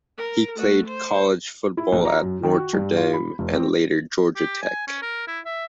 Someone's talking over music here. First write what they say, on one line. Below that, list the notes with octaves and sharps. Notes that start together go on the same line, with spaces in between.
He played college football at Notre Dame and later Georgia Tech.
A#4
A3 F#4
C5
E4
A#1
A#5
F#2
D#3
F#4
G2
F4
B5
F1
C4
G4
G#5
C#4
A#4
E4
E5